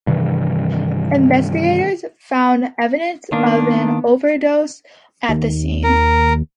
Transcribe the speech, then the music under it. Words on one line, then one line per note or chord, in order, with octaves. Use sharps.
Investigators found evidence of an overdose at the scene.
G2 C3 D#3 E3
D#3 A#3 B3 D4
D#2
A#4